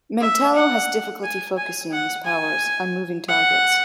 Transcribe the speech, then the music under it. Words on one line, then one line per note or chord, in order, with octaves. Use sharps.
Mentallo has difficulty focusing his powers on moving targets.
E5
F#5
G#5
G#5
F#5
G#5
F#5